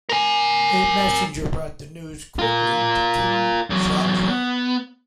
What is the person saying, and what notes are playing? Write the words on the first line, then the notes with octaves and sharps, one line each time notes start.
A messenger brought the news quickly to King Seonjo.
A#4 G#5
F4 A#4
E2 F#3
B3